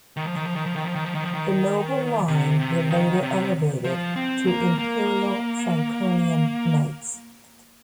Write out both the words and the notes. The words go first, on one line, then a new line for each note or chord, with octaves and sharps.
The noble line were later elevated to imperial Franconian knights.
D#3
F3
D#3
F3
D#3
F3
D#3
F3
D#3
F3
D#3
F3
D#3
C3
C3
D#3
C3
F3
C4
A#3
A#3